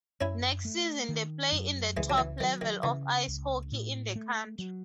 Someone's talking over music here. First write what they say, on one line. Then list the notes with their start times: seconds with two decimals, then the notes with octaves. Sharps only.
Next season the play in the top level of ice hockey in the country.
0.21 F#2 C#4 E4
0.65 A3
1.09 D#3
1.52 F#2
1.97 C#2 E3 G#3
2.10 F#3
2.18 E3
2.40 D#3 F#3
2.61 D#3
2.83 C#3 E3
3.28 C#2
3.72 A2
4.16 A3
4.59 F#3